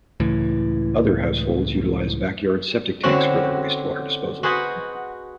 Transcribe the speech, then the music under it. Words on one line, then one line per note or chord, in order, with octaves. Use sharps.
Other households utilize backyard septic tanks for their wastewater disposal.
C#2 A2 E3
D3 C4 C#4 E4 F#4
F#4 G#4 B4 C5 D#5 F#5